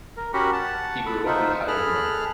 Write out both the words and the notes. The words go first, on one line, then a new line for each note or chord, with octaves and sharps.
He grew up in Heilbronn.
A#4
C#4 F#4 G4 A#4 F#5 B5
F#5 A5
A4 B5
D#4 F4 C5 E5 F#5
G#4 A4 B5 F6 F#6